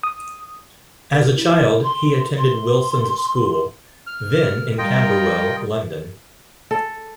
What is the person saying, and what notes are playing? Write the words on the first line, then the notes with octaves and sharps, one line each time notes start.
As a child he attended Wilson's School, then in Camberwell, London.
D#6
A#4
E4
C6
C6
F6
G3 F4 A#4 D#5 G5
A4